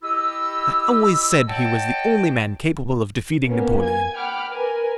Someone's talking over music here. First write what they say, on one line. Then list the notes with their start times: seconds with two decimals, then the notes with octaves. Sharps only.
"I always said he was the only man capable of defeating Napoleon."
0.03 E4 G4 D#5 E6
1.48 C#5 D#5 F#5 G5 A5
3.45 A#3 B3 C#4
3.83 G#5 G#6
4.15 F#5 G5 B5 D6 F6
4.50 A#4 B4 G#5